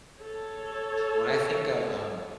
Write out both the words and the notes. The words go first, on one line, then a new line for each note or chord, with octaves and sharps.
when I think of, um,
A4 C#5